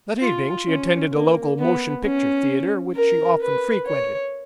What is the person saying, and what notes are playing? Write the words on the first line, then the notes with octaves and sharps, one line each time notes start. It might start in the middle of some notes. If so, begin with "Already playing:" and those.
That evening she attended a local motion-picture theater which she often frequented.
F4
C#4
A#3
B3
C#4
A#4
B4
C#5